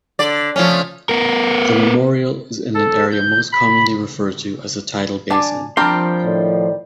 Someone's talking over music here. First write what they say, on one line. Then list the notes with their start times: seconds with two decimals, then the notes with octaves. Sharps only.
The memorial is in an area most commonly referred to as the Tidal Basin.
0.19 D3 D5
0.56 F3 A3 C#4
1.09 B3 A#4
2.75 A4
3.12 G6
3.52 B5
5.30 D4 D5 G#5
5.77 F3 G3 C4 D4 G4 A#4 C6
6.24 A2 D#3 D5